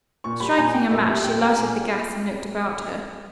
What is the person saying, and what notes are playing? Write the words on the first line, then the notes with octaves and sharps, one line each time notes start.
Striking a match, she lighted the gas and looked about her.
A#2 C#6
G3 B5
A#2 G#5
A#3 G5
A#2 E5
G3 E5
A#2 G5
A#3 G5
A#2 G#5